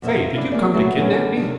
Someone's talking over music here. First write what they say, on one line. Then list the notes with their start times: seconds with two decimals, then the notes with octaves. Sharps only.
"Say, did you come to kidnap me?"
0.02 F2 B2 C5 E5
0.33 D4 E4 F4
0.52 A3 A#3 G#4 D5
0.74 F#3 A3 B3 E4 F#4 G#4
0.97 F#2 D3 D#3 B3 C#4 C#5
1.36 D#2 C3 D#3 D4